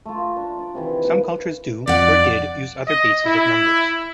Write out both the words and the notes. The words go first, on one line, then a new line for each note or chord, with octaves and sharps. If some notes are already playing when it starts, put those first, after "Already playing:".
Some cultures do, or did, use other bases of numbers.
A3 F4
A#4
D4
D5
C3 D#3 E3
A#3 B4
F2 D5 F#5
D#5
E4